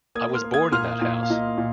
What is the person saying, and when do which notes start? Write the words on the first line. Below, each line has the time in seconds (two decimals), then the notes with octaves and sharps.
I was born in that house.
0.15 A#3 D#6 G#6
0.34 C6 F6
0.44 A#3
0.54 D#6 G#6
0.72 A#2 C6 F6
1.01 A#2
1.23 F5
1.30 A#2 D#5
1.58 A#2